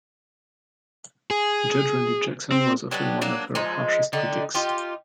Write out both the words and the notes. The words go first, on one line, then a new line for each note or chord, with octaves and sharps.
Judge Randy Jackson was often one of her harshest critics.
G#4
C4
F#3 G3 B3 D4
F#3 A#3 D4
F3 G#3 D#4
D3 D#4 G4
D#4 F4 G4